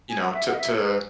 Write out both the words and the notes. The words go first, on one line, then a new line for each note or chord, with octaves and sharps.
you know to to
G#5
F#5
E5
F#5
D#5
E5
C#5
B4